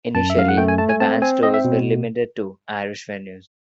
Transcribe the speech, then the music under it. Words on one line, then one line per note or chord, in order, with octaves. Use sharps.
Initially, the bands' tours were limited to Irish venues.
F#2 A5
E5
F#2 F5
F#5
A3 G5
G#5
A3 A5
G#5
C4 A5
C4 G#5
C4 D#5
E5
B2